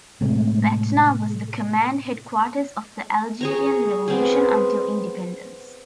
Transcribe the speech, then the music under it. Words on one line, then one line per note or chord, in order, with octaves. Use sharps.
Batna was the command headquarters of the Algerian revolution until independence.
A2 C3 G#3 A3
G#4 C#5 A#5
B3 C4 G#4